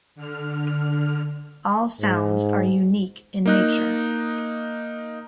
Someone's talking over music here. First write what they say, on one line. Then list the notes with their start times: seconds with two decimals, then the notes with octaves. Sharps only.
All sounds are unique in nature.
0.16 D3 F6
2.01 G#2
3.46 A#3 D#4 F#6